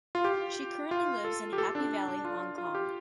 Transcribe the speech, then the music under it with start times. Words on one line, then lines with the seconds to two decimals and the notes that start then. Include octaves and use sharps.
She currently lives in Happy Valley, Hong Kong.
0.15 F4
0.25 G4
0.91 F4
1.25 A4
1.53 G4
1.58 A4
1.75 D4
2.08 D4
2.25 F4
2.58 F4
2.75 G4